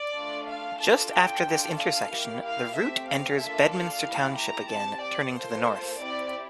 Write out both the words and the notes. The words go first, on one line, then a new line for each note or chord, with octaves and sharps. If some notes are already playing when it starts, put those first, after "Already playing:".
Just after this intersection, the route enters Bedminster Township again, turning to the north.
Already playing: D5
A3 D4 F4 A4
F5
D4 F4 A4 A5
G5
D4 F4 A4
F5
A#3 E4 G4
F5
A3 C4 G4 E5
F5
A#3 D4 F4 A4 E5
F5
A3 E4 G4
A#5
C4 G4 A5
D5
A#3 F4 A4 C5
C4 E4 G4 D5